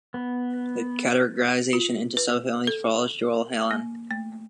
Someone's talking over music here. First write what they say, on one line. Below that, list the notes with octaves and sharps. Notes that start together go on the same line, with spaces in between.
The categorization into subfamilies follows Joel Hallan.
B3
F4
B4
A4
A#3
A3